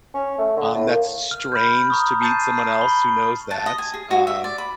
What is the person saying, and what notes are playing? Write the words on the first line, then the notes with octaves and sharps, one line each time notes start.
um, that's strange to meet someone else who knows that, um,
C#4
A3
D3
A2
A#3
F6
B5 G6
A#5 C#6 D#6
A5 G6 A6 C7 D#7
C7
B5 G7
A5
D#5
G#5
G#4
F#4
E5
D5
B5